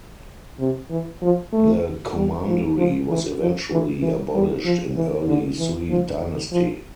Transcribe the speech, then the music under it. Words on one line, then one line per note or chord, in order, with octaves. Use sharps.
The commandery was eventually abolished in early Sui dynasty.
C3
E3
F3
A3
G3
F3
F3
E3
F3
E3
E3
G3
F3
E3
D3
E3
F3
F3